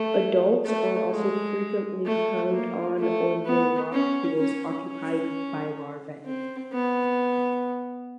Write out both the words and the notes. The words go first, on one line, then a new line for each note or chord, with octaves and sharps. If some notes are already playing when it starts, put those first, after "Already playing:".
Adults are also frequently found on or near rock pools occupied by larvae.
Already playing: A3
A3
G#3
A3
A#3
A3
B3
C#4
C#4
C#4
C4
B3